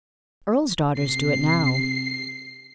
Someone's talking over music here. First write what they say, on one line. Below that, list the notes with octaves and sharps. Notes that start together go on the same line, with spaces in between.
Earls' daughters do it now.
C3 C7